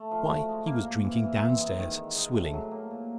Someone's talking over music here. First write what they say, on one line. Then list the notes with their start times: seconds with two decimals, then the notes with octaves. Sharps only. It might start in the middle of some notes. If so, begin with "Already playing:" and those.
Why, he was drinking downstairs--swilling.
Already playing: A3
0.11 F3
0.29 F#4
0.49 G#3
0.66 A#3
0.86 A#3
1.05 E3
1.23 E3
1.41 C4
1.60 G#3
1.78 D#3
1.97 D#3
2.16 G#3
2.34 A2
2.53 F#3
2.71 A#3
2.91 A#2